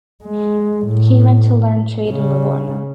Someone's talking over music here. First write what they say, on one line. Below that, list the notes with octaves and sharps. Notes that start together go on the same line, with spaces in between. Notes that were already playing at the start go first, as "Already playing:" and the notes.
He went to learn trade in Livorno.
G#3
A2
C#3